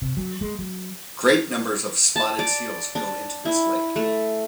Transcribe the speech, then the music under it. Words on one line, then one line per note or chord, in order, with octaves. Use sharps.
Great numbers of spotted seals go into this lake.
C3
F#3
G#3
F#3
A5
D5
D4
E4
A3